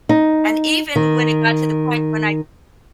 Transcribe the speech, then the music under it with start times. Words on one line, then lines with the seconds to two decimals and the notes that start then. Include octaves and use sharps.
And, even when it got to the point when I
0.09 D#4
0.96 D#3